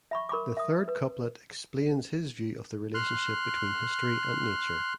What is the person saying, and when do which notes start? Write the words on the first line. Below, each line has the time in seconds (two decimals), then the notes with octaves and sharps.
The third couplet explains his view of the relationship between history and nature.
0.11 E5 B5 C#6
0.29 A#4 B5 C#6 D6
0.57 E5 D#6
0.88 B4
2.94 C6 F6 F#6